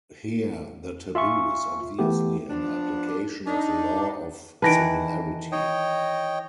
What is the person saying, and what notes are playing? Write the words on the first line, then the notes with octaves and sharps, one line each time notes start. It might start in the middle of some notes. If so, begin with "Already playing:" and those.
Here the taboo is obviously an application of the law of similarity.
F4 E5 G#5 C#6
E3 A3 B3 G4
F3 B3 D4
D4 D#4
D#3 E3 B4 A5 A#6 D7
C#5 D#5 G5